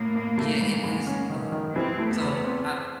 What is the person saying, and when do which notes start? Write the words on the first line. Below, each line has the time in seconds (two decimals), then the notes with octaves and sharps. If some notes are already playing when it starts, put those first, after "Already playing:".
Yeah, it is, um So I
Already playing: A2 A#3
0.15 A2
0.38 A3
0.61 G#2
0.84 G#2
1.06 C#4
1.30 D#3
1.52 D#3
1.75 E3 C4
1.99 A3
2.10 B3
2.21 E2
2.43 C4